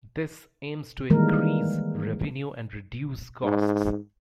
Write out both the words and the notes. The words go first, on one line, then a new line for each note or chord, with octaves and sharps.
This aims to increase revenue and reduce costs.
D#3 E3 G3 G#3 A#3 A#4
G#2